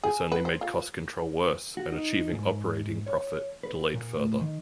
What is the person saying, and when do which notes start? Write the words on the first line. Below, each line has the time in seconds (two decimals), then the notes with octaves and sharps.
This only made cost control worse and achieving operating profit delayed further.
0.04 G#4
0.32 B4
0.45 C5
0.61 F4
1.77 F#4
1.92 D#4
2.32 G#2
3.07 C#5
3.63 B4
3.94 A#2
4.17 A2
4.41 D#3